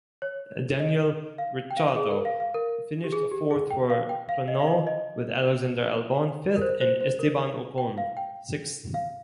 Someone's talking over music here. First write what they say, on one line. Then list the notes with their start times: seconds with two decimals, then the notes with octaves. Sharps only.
Daniel Ricciardo finished fourth for Renault with Alexander Albon fifth and Esteban Ocon sixth.
0.22 C#5
0.80 D#5
1.38 F5
1.71 G5
1.77 F5
1.96 G#4
2.11 A#4
2.25 F5
2.40 F5
2.54 A#4
3.04 G4
3.13 G#4
3.32 G4
3.51 G#4
3.71 G5
3.90 F5
4.09 G5
4.29 F5
4.48 D#5
4.60 F5
4.67 D#5
4.87 D#5
6.56 A#4
6.62 C5
6.81 C5
7.01 C5
7.19 A#4
7.78 G5
7.98 F5
8.17 G5
8.94 F5